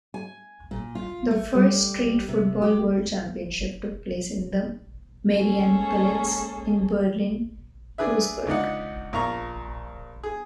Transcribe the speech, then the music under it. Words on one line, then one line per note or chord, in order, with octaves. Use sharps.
The first Street Football World Championship took place in the Mariannenplatz in Berlin-Kreuzberg.
G#5
A#2
F4
A3
G3
C3
G4
G#3 A#3 C#4 G#4 A4
D4 G#4 B4 E5
C#2 D4 D#4 F#5
A#1 F4 A#5 C#6
G#4